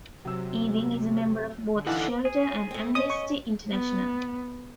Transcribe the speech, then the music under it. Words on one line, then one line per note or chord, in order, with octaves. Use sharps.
Ewing is a member of both Shelter and Amnesty International.
C3 F#3 E6
D3
D3 E3 D#4 A4 D5 F5 F#5
G#4
A3 C4
C#4 D#5 D#6
C#6
B3